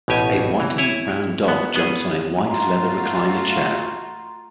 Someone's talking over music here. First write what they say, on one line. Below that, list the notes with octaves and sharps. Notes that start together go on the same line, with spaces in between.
A white and brown dog jumps on a white leather recliner chair.
A1 B2 G4 G#5
E3
E4 C#5 G#5
B3
B3 G#4
A3 F4 F#4 A#5 C6